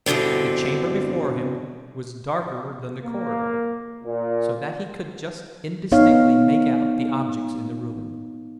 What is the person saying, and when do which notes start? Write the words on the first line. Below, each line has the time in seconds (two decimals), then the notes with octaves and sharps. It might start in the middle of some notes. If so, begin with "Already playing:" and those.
The chamber before him was darker than the corridor, so that he could just indistinctly make out the objects in the room.
0.06 E2 G2 B2 D3 C4
3.03 A#3
4.04 A#2
5.92 B3 D#4 C#5 F5